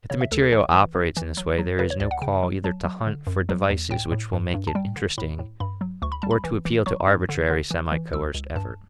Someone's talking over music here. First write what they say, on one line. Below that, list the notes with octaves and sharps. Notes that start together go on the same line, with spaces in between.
If the material operates in this way, there is no call either to hunt for devices which will make it interesting or to appeal to arbitrary, semi-coerced effort.
C#3 C#5
E5
D2 A4
A4
E3 C#5
E3
F#2
E3
F#3
F#3
C#3 B4
C#5
D2 D5
F#5
C#3 G5
F#3
F#3 A5
F#3
D3
F#2
F#3
E2
A2 G5
A2
G2
G2
A5
G3 G5
D3
A2 B5
A2
G2 B5
F#3
D2 C#6
B5
G3 A5
B5
E3
E3
F#3 C#6
G2
D3
D3
E3
E3
C#2 E6
C#2
G2 A5